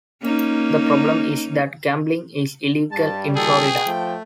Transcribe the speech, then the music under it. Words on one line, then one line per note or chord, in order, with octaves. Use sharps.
The problem is that gambling is illegal in Florida.
A#3 C#4 D#4
G2 G3 A5
A#2 D#3 G#4 A4 G5
F3 A3